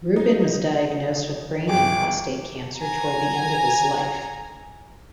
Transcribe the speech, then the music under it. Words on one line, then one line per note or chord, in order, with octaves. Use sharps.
Rubin was diagnosed with brain and prostate cancer toward the end of his life.
D#4
G1 G#4 G5 D6
G#5 A#5